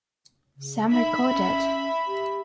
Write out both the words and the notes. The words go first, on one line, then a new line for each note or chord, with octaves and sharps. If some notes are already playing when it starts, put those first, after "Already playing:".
Some record it.
C#3
D#4 E5 B5
C#4
G4